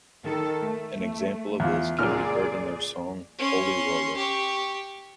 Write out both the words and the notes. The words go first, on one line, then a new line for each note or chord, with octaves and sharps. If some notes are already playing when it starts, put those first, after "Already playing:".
An example of this can be heard in their song "Holy Roller".
D#3 A4
A3
E2 F4
C#2 A#2 G#4 D5 F6
C#4 C6
G4 C#6